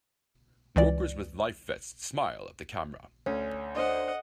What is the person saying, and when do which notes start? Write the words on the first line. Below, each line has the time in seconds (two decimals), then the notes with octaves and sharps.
Workers with life vests smile at the camera.
0.76 C#2 E3 D5
3.26 D2 C#4
3.75 D4 C5 D#5 F#5